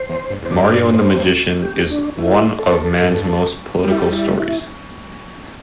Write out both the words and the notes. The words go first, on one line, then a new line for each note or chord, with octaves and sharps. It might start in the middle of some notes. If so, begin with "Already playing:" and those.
"Mario and the Magician" is one of Mann's most political stories.
Already playing: C5
E2
G2
E2 C5
G2 D5
C5
G4
D4
E4
A4
G2
G3 G4
E4
G4
E4
E4